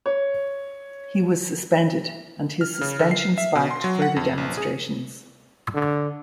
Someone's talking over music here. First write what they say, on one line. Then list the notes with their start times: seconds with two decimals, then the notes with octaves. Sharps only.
He was suspended and his suspension sparked further demonstrations.
0.06 C#5
2.61 F6
2.81 C#3
2.99 D3
3.11 C7
3.38 E5
3.55 B2
3.71 C6
3.84 F#3
4.02 F#5
4.16 F2
4.38 A#1
4.57 G#4
5.75 D3